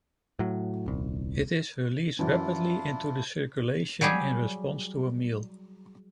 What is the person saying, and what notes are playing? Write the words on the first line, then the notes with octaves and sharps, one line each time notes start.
It is released rapidly into the circulation in response to a meal.
A2 F#3
D#1 C2
F#2 E3 D4 E4 F4
F#3 G3 G4 G#4